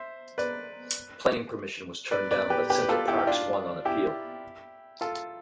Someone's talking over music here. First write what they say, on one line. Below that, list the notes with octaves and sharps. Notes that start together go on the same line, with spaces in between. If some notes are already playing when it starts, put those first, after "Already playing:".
Planning permission was turned down but Center Parcs won on appeal.
Already playing: C5 E5
B4 D5
B4 D5
B4 D5
G4 B4
G4 B4
B4
F4 A4
E4 G4
G4
D4 F4
E4 G4
F4 A4